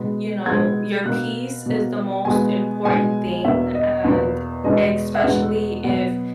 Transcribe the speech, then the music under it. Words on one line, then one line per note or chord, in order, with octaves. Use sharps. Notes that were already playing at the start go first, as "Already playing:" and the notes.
you know, your peace is the most important thing. And especially if
Already playing: B2 G#3 B3
B2 G#3 B3 G#6
B2 A#3 F#6
B2 A#3
B2 G#3 B3 G#5
B2 G#3 B3 G#5
E2 B2 A#3 E5
D#5
E2 B2 A#3 B4
E2 B2 G#3 B3 D#5
E5
E2 B2 G#3 B3 F#5
B2 F#3 B3 F#5